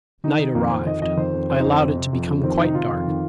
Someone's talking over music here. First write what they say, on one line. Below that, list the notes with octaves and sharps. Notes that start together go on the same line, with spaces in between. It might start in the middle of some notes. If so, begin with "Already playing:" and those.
Night arrived; I allowed it to become quite dark.
D#3 D#4
D#3
F2 A#3
F2 C4
D#3 D#5
F2 D#5
D#3 C5
F2
F2 C5
D#4
F2
C4
C3
C3
F2
F2
D#3 C4
C3 D#4
D#3 F4
F2
D#3